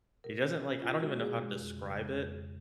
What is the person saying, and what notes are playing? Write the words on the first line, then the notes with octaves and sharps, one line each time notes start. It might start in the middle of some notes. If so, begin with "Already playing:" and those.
it doesn't like, I don't even know how to describe it,
B2 A#4
C#4
C#4
B2 F4
G#3 F#4
B2 G#4
G#3
F2
C#3
G#3
F2
F2